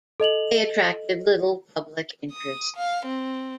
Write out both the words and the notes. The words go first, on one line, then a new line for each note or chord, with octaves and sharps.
They attracted little public interest.
A4 D#5 F7 F#7
D#6
F5
C4